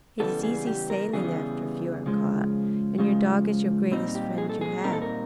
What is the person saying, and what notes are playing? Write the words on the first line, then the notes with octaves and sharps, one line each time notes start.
It is easy sailing after a few are caught, and your dog is your greatest friend you have.
C#3 E3 G3 B3 A4
G#4
G4
A#4
C#3 E3 G3 B3 G#4
C#3 F3 G#3
C#3 F3 G#3
A#2 G3 C4 D#4
G4
G#4
A4
G#4
A#2 G3 C4 D#4 A#4
A4
A#4